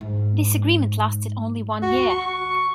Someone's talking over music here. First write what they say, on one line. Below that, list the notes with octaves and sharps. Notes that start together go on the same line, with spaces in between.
This agreement lasted only one year.
G#2
D#2 F#4
C#6